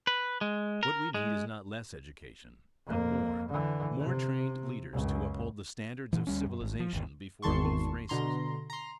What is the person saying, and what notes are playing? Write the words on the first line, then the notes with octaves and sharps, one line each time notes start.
What we need is not less education, but more; more trained leaders to uphold the standards of civilization before both races.
B4
G#3
A#4
G#3
F2 A#3
D3 E3
C3
C#2 F#2
A#2 E3
D2 G3 C#4
F#2
G#1
F3
G1 D#2
G#1 E2 D#3 A5 C6 C#6
B2 D3 A#5 C6
A#5 C6